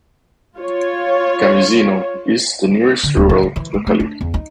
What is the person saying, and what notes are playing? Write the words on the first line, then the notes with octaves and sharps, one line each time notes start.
Kamyzino is the nearest rural locality.
F4 C#5
D3
D1
D#3
F3
E3
G#3
A3
D4
E2
D#4